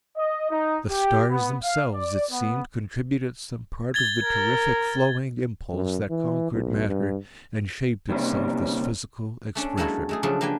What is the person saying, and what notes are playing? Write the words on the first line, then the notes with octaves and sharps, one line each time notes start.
The stars themselves, it seemed, contributed some part of the terrific, flowing impulse that conquered matter and shaped itself this physical expression.
D#5
D#4
G4
B3
F5
D5
B3
G#6 A6 G7
A#4
F#2
E3
B1
G2
C3 D#3 G3 A#3 C4 C#4
A3 C#4 D4
F#3 G#3 A#3 E4 A4 C#5
G#3 A3 G#4
C#3 F3 F#3 A3 D4 G#4
A#3 D4 G4 B4 G#5